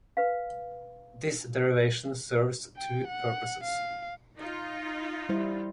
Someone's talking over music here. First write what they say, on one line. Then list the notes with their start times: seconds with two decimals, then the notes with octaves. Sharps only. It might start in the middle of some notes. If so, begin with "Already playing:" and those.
This derivation serves two purposes.
0.17 B4 F5
2.77 G5
3.07 F#5
3.64 F5
4.38 D#4 F4
5.29 G3 E4 C5